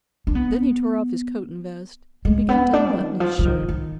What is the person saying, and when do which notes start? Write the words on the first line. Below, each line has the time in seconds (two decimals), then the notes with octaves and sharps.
Then he tore off his coat and vest, and began to unbutton his shirt.
0.27 D4
0.35 B3
2.25 G#3
2.49 B3
2.73 D4
2.96 D#3
3.20 F3
3.39 F3
3.45 D#3
3.69 D#3